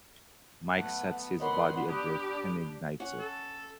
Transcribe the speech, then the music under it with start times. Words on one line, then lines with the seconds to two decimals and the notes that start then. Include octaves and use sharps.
Mike sets his body adrift and ignites it.
0.75 F#3 A3 B3 F#5
1.40 D3 A#4 C#5 D#5 F#5 B5 C6
1.89 D4 G4 B5 D#6 F#6
3.00 C#4 F#5
3.19 A4